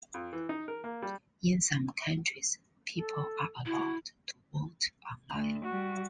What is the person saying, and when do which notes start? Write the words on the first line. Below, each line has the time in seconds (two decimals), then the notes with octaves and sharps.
In some countries people are allowed to vote online.
0.14 F2
0.33 E3
0.49 D#4
0.68 A#4
0.84 A#3
1.02 G3
2.95 A4
3.66 E4 F#4
5.34 D2
5.66 G3 F#4